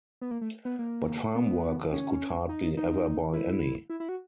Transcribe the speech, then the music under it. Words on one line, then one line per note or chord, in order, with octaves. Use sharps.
But farm workers could hardly ever buy any.
B3
A#3
A3
B3
A#3
B3
C#4
D#4
D#4
E4
E4
E4
F#4